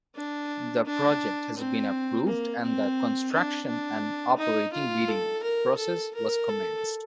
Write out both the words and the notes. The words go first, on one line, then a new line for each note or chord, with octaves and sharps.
The project has been approved and the construction and operating bidding process was commenced.
D4
D4
C4
A#3
C4
D4
D4
D#4
F4
A4
A#4
A4
A#4
A4